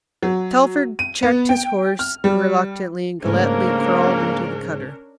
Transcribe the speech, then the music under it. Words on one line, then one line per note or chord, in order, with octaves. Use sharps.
Telford checked his horse reluctantly and Galletly crawled into the cutter.
F#3
D#7
B3
G5
F6
G3
G#2 C#3 A3 A#3 C#4 D4 A#4